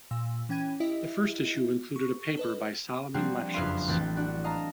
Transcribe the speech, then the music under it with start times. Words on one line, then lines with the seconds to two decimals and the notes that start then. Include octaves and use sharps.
The first issue included a paper by Solomon Lefschetz.
0.11 A#2 E6
0.49 E3 C#4 G5 G#6 D#7
0.80 E4 G4 D#5 E5
1.96 C#6
2.37 A4 B4 D#5
3.14 F3 G3 A#3 C4 D4 F#4
3.54 F#1 F2 B4 E5 F5 C6
3.88 A1 E3 C4 B4 G6 A6
4.16 D4 F#4
4.44 D#5 F5 A5 A#5